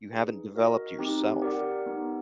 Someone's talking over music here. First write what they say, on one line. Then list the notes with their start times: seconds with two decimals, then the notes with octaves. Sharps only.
you haven't developed yourself.
0.11 D#4 G#4 B4
0.55 F#4 A#4 D#5
0.99 C4 D#4 G4
1.42 G4 A#4 D5 F#5
1.86 B3 D#4 G4